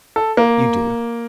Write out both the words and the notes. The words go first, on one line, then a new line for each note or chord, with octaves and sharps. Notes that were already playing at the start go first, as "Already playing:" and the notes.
You do.
A4
A#3